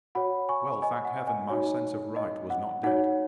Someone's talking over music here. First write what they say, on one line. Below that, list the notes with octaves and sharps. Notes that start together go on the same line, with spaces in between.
Well, thank Heaven! my sense of right was not dead.
F#4 C#5 F#5 B5
G#5 C#6
D#5 G#5
F#5
D#5 G#5
D#4 F#4 C#5
D#5
F#5
D#4 F#4 C#5 F#5